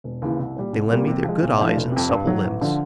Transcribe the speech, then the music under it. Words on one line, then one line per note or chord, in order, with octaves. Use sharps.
They lend me their good eyes and supple limbs.
E1
D#2 C#3 E3
C2
A#2 G3
C2
A#2 G3 A#3
C3
F3 G#3
B1
A2 F3 A3 D4
F1
F2 C3
G2
D#3 F#3
A1
D3 F3